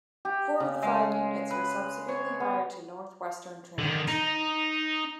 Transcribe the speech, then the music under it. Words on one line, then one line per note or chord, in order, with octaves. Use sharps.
Four of the five units were subsequently hired to North Western Trains.
G4
C#3
G#3
B4
C#5
B3
D3 D#3
D#4